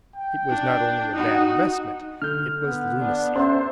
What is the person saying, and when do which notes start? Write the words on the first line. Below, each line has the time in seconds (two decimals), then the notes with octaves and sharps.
It was not only a bad investment, it was lunacy.
0.15 G5
0.49 D4
1.13 D#4 F#4
2.22 D3 F6 G6
2.63 B3
2.99 D4
3.36 C#4 A4 C5 E5 C6